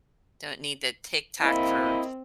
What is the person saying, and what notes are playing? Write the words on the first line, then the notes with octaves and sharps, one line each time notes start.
don't need the TikTok for
A#3 C4 E4 D#5